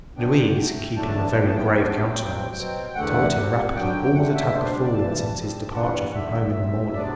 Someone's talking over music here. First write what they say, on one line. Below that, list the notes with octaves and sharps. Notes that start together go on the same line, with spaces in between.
Louise, keeping a very grave countenance, told him rapidly all that had befallen since his departure from home in the morning.
C3 F#3 B3 D4 G5
A2 F#3 A3
E2 D3 F#3 A3 D4 A5
G2 E3 B3 G5
A5
G5
F#5
B2 G3 D4 G5
G2 F#3 C4
B2 F#3 C4
E2 D3 A3 F#5
C3 G3 C4
F#2 D3 F#3 G5
F#2 D3 A3 F#5
F#5
E5
C3 G3 D4 C5
C5
D5
G2 E3 G3 A5
A2 G3 C4
G2 E3 G3 D4 F#5
E2 D3 G3 E5
B2 F#3 C4
C3 F#3 B3 D4 D5